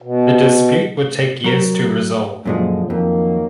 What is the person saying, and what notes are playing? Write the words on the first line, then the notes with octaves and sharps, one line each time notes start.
The dispute would take years to resolve.
B2
F#3 A#4
F#2 A#2 D3 F3 G#3
F2 D#3 F#3 A#3